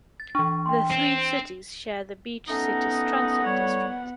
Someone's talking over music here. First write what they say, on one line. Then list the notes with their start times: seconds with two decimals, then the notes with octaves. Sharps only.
The three cities share the Beach Cities Transit district.
0.20 A6
0.35 E3 D4 C#6
0.66 G5 C6
0.91 C4
2.49 A3 B3 C#4 D#4 F#5
3.45 A2 G3 C#5